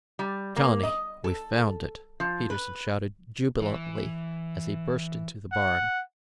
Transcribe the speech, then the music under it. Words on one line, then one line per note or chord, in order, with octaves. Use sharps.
"Johnny, we've found it," Peterson shouted jubilantly as he burst into the barn.
G3
A#3
D#5
A4
F3
B4
E3
F#5